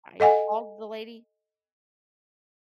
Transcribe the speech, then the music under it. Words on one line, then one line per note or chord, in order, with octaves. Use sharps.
I called the lady
A4 D#5 F#5 G#5